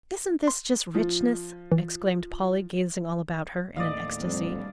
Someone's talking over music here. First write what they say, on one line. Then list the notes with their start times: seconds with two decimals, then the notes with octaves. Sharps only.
"Isn't this just richness?" exclaimed Polly, gazing all about her in an ecstasy.
0.48 C6
0.95 F3
1.72 E3
3.76 D#2 A2 D5 D#5 F5
4.20 F2 G3 D4